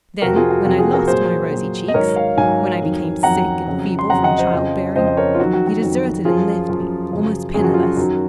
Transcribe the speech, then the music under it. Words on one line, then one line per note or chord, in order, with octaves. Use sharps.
Then, when I lost my rosy cheeks--when I became sick and feeble from child-bearing--he deserted and left me almost penniless.
F2 C3 F3 F#4 A#4
F4 G#4
F#4
F2 C3 F3 F#4
F4 G#4
F#4 A#4
A#2 F#3 G#4 C5
A#2 F#3
D#5
G#2 D#3 F#3 A#4 C#5
C#5 F5
G#2 D#3 F#3 F5 G#5
F2 D#3 F#3
F2 D#3 F#3 F#5 A#5
F2 C#3 F#3
C6
F2 C#3 F#3 F#5 A#5
D#5 F#5
C5 D#5
F2 C#3 F3
F2 C#3 F3 C5 D#5
D#5
A#4 C#5
F4
F2 D#3 F#3 F#4
F#4
F#4
F2 D#3 F#3
F#2 F3 F4 G#4
F#2 F3
F#2 C#3 F3
F#2 C#3 F3 G#4
F#4
F4
F#4
F#2 D#3 F#3